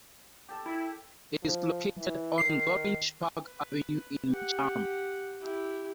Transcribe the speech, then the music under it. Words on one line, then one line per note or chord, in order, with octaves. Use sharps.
It is located on Gorringe Park Avenue in Mitcham.
G4 A4 A5
E4
F3
E3
D#3 C7
B4
G4 F#5
E4 G4